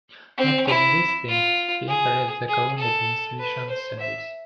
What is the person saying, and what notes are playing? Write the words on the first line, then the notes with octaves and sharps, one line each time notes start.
After university he entered the Colonial Administration Service.
C4
E4
F4
G#4
G#4
A4
B4
C5
E5